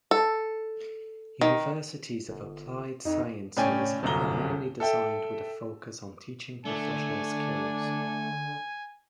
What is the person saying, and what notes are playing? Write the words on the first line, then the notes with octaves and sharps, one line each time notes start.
Universities of Applied Sciences are primarily designed with a focus on teaching professional skills.
A4
D#3
G1
F2 D#4
A2 C#3 C#4 D5 G5 G#5
G1 C2 F#2 A#5 G7
A4 E5 G5
D3 A3 D4 G#5